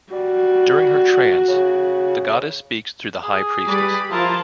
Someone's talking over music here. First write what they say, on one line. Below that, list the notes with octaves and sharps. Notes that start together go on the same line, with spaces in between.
During her trance, the Goddess speaks through the High Priestess.
G3 F#4
C#3
G#4
G3 G4 B4 D5 B5
F3 E4 F4 A#4 A5